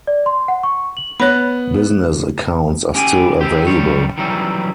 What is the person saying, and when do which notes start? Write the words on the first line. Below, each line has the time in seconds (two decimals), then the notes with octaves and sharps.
Business accounts are still available.
0.07 D5
0.26 C6
0.48 F#5
0.63 C#6
0.97 F#7
1.20 B3 C#5 B5 F#6
2.95 C#4 G4 G5 G#5
3.41 D#3 C4 G4
3.67 F#2 A#2 G3 C#5
4.18 D#3 E3 F#3 G3 C#4